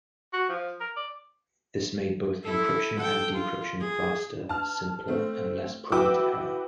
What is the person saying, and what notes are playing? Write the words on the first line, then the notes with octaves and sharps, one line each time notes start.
This made both encryption and decryption faster, simpler and less prone to error.
F#4
F3
A#4
D5
E4 A4
A4 G5
F4
G#4
A5 F6
A3 C4
E4 F#4 B4 G5 D6 E6